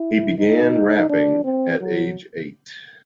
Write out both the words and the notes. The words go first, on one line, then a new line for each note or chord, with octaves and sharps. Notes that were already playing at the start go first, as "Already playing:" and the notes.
He began rapping at age eight.
Already playing: E4
D#4
D4
C4
F#3